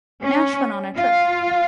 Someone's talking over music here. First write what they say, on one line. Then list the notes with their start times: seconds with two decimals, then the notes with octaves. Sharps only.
Nash went on the trip.
0.23 C#4
0.97 F4